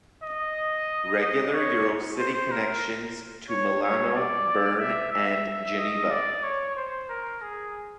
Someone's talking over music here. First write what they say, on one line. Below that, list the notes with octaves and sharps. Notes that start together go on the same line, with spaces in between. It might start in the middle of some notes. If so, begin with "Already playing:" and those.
Regular Eurocity connections to Milano, Berne and Geneva.
D#5
D#5
C#5
C5
A#4
C#5
C#5
D5
E5
E5
D#5
D5
C#5
C5
A#4
G#4